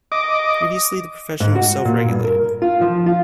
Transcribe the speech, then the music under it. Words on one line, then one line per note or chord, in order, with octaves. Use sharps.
Previously, the profession was self-regulated.
D#5 D6
G#2
F#4
A#2
G2
A#4
F4
F3
F4